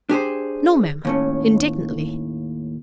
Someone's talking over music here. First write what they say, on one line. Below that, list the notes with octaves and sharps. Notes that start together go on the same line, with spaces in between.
"No, ma'm," indignantly.
D4 G4 G#4 C5
D#2 A2 C#4